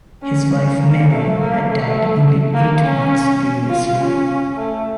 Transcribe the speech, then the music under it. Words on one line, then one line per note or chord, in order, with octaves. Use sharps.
His wife Mary had died only eight months previously.
C#4
C#4
A#3
A3
A#3
A3
A#3
C#4
F4
C#4
A3